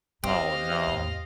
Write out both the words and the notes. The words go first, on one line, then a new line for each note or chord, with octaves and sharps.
Oh no.
D#3 C4 D#4 G4 D#5 F5
E2 A2